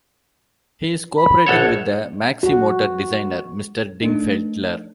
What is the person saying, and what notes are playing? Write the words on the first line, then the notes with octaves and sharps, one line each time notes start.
He is co-operating with the Maximotor designer, Mr. Dingfelder.
B5
A#1 A4 C#5 F#5
F#4
A3 D4 D#4